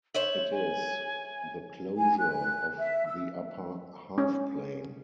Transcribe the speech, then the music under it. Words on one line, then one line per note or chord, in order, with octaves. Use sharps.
It is the closure of the upper half-plane.
C5 C#5 E5 F#7
G#5
G#5
F#6
E5
E6
C#4